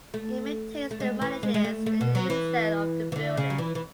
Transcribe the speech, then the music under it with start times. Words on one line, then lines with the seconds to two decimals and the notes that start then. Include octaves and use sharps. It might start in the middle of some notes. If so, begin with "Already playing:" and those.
It maintains and manages the resale of the building.
0.14 A3
0.91 A3
1.00 G#3
1.21 E3
1.43 G#3
1.54 G#3
1.64 A3
1.86 A3
2.01 B2
2.15 F#3
2.30 E3
3.12 E3
3.16 D3
3.37 C#3
3.50 F#3
3.58 E3
3.75 E3